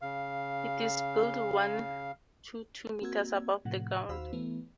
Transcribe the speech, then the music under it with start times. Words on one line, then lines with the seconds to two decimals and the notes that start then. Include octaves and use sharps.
It is built one to two metres above the ground.
0.02 C#3 F5
3.02 A#3 C4 F#4 E6 G#6
3.65 A2 C3 F3 F#5
4.09 D#2 F#4 C5 F5 B5 E6
4.33 E3 A3 B3